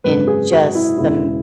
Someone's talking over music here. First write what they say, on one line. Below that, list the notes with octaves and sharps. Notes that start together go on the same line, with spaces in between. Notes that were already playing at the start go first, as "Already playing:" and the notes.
in just the m
G#1 F#2 C#3 G#3 B4
G#4
F#4
E4
E1 E2 C#3 E4